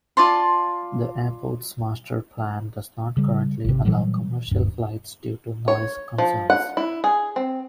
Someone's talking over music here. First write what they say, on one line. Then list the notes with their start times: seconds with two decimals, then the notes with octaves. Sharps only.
The airport's master plan does not currently allow commercial flights due to noise concerns.
0.17 F4 D5 A5 C6
3.17 C#3 G3
3.65 G#1 C3
3.85 A#2 E3 F#3 G3
4.51 D1 G2
5.68 C#5
6.18 F3
6.50 F#5
6.77 E4
7.04 G#4
7.36 C4